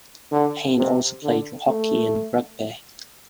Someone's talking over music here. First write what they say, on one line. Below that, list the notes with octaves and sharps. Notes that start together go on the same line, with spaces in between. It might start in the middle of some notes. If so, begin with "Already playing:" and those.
Heyn also played hockey and rugby.
D3
C3
D3
A3